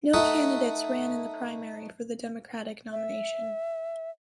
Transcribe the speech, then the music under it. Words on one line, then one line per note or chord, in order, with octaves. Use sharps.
No candidates ran in the primary for the Democratic nomination.
A3 D#4 E5 F#5
E5